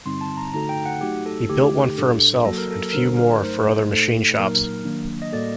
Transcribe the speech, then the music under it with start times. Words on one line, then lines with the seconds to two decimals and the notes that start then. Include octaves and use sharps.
He built one for himself and few more for other machine shops.
0.06 G2 D3 G3 C4 D#4 C6
0.21 A5
0.37 A#5
0.54 D3 A3 D#4 F#4 A4 A#5
0.69 G5
0.86 F#5
1.01 F#3 A3 D#4 F#4 G4
1.26 A4
1.49 D#2 D3 A3 D#4 G4 A4
1.98 A2 G3 D4 A4
2.45 F#3 A#3 F#4 A4
2.58 A#4
2.71 A4
2.93 D3 G3 D4 F#4 A#4 C5
3.17 A#4
3.41 G2 F#3 A3 D#4 C5
3.89 A#2 A3 D#4 A4
4.37 A#2 F#3 A#3 D#4 A#4
4.85 D#3 F#3 A#3 D4
5.22 D#5
5.32 A2 G3 A#3 F#4 A4 D5